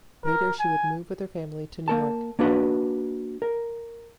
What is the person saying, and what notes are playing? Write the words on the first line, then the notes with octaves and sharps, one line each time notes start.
Later she would move with her family to New York.
A#4
G#5
A#3 A#4 A5
A#3 D4 F#4 B4
A#4